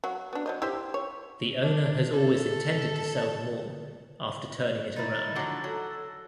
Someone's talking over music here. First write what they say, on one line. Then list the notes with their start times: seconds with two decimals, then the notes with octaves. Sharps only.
The owner has always intended to sell the mall after turning it around.
0.04 F#3 F#4
0.33 B3 D4
0.46 F#3 C5 D#5
0.62 E4 G4 C5
0.94 C#5
1.63 D4
2.13 A4
4.96 D#4 E4 A6
5.35 D3 F3 F#3
5.64 F#3 A4